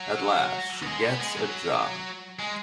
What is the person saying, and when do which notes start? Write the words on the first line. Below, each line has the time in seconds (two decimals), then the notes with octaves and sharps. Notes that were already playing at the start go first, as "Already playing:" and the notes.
At last she gets a job.
Already playing: F#3
0.83 B3
0.87 G#3
1.04 B3
1.21 G#3
1.37 F#3
2.39 G#3